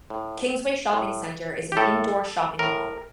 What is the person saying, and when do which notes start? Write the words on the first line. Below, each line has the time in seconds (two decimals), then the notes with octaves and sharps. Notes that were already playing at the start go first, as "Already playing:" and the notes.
Kingsway Shopping Centre is an indoor shopping mall.
0.10 A2
0.93 A2
1.72 G4
1.77 A2 A4
2.59 A2 A#4